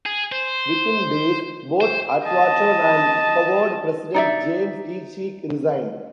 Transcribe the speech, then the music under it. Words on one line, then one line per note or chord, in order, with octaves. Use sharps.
Within days, both Atwater and Howard President James E. Cheek resigned.
G#4
C5
C5
D#5 A5
D#4 D5 E5